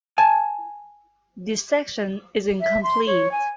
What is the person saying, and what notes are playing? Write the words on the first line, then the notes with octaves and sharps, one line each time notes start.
This section is incomplete.
G#5 A5
E5
C6
C#5
G#5